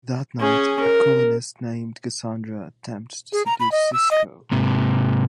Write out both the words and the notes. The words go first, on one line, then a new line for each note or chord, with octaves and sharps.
That night, a colonist named Cassandra attempts to seduce Sisko.
C#4 G#4
A#4
G#4
A#5
B5
D#5
E6
D#5
G#2 C3